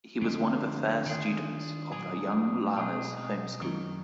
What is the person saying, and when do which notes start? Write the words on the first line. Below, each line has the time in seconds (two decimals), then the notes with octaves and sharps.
He was one of the first students of the Young Lamas Home School.
0.21 F2 D3 F3 G#3
1.06 D#3 A#3 D4 F4 G#4
1.92 A#2 F#3 D4 G#4
2.77 B2 G#3 D#4 G#4
3.61 F#2 D#3 F#3 A#3 D#4